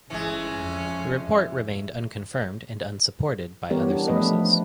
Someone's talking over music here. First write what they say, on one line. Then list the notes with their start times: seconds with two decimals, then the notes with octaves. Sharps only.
The report remained unconfirmed and unsupported by other sources.
0.10 G1 E3 G#3 C#4
0.56 F2
3.70 E3 G3 B3 G4 A#4 C#5
3.90 D4
4.08 F3 A3 B3 D4 B4 D#5